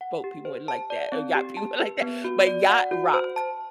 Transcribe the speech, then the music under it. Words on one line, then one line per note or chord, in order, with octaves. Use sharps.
Boat people wouldn't like that or yacht people wouldn't like that, but Yacht Rock.
F#5
G4
C5
A5
D5
C4
G4
A5
B4
B3
F#4
D5
F#5
F#4
C5
A5